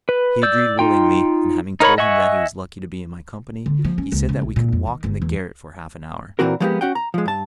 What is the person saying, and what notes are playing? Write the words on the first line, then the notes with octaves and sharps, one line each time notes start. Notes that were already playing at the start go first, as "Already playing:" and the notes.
He agreed willingly, and having told him that he was lucky to be in my company, he said that we could walk in the garret for half an hour.
B4
D5 E6 G6
D#4 F4 G5
D#4 A#4 C#5 B5
D#5 E5 F#5 G#5 C#6
D3
F3
C#4
C#2
C#3
B1
A#2
F2
D#3
G1
E2
A#2 D#3 E3 C4 F#4 A#4
F3 G3 G#3 A#3 B3 G4
C#4 F#4 F#5 G5
A#5
F3 G#3
G2 A5